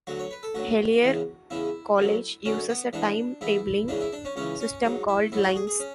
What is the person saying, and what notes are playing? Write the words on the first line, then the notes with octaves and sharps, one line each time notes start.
Hellyer college uses a time tabling system called lines.
D2 D3 F#3 F#4
C#5
B4
A4
D2 D3 F#3 F#4
E2 C#3 E3
E2 C#3 E3 E4
F#2 D3 F#3
F#2 D3 F#3 C#4
B3
G#2 E3 D4
G#2 E3 E4
C#2 C#3 E3 D4
E4
D4
C#4
C#2 C#3 E3 C#4
C#4
G#2 F#3
E4
G#2 F#3 E4
F#4
G#4
G#4
C#4